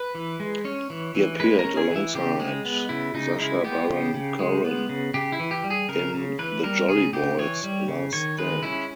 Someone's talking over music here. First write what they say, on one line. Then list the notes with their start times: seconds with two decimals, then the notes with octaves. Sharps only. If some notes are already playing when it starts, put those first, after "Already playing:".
He appeared alongside Sacha Baron Cohen in "The Jolly Boys' Last Stand".
Already playing: B4
0.15 E3
0.40 G#3
0.65 C#4 C#5
0.90 E3
1.15 E3
1.40 G#3 B4
1.59 A#4
1.65 C#4
1.77 G#4
1.90 E3
1.96 E4
2.15 C#3 G4
2.40 G#3
2.65 B3
2.89 C#3 E4
3.14 C#3 D#4
3.39 G#3 E4
3.64 B3 G4
3.89 C#3
4.14 C#3
4.39 G#3
4.65 B3
4.89 C#3
5.14 C#3 G4
5.32 E4
5.40 E3
5.51 G4
5.64 G3
5.70 G#4
5.89 C#3 A#4
6.14 C#3
6.39 E3 B4
6.64 G3 A#4
6.89 C#3 G#4
7.13 C#3 G4
7.38 E3 C#5
7.64 G3
7.88 C#3
8.13 D#3 C#5
8.38 G#3 B4
8.63 C#4 E4